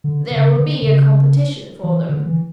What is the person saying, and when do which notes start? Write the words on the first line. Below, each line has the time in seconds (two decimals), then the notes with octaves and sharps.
There will be a competition for them.
0.04 D3
0.31 C#3
0.56 D3
0.82 C#3
1.84 E3
2.09 D3
2.26 E3